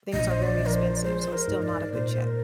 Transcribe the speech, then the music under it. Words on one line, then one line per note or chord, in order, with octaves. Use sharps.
things are very expensive. So, it's still not a good check.
A#1 D#5
C5
D5
F3
A#4
C5
D5
G#3 C5
C5
A#4
G#2
D5
A#2 C5
C5
A#4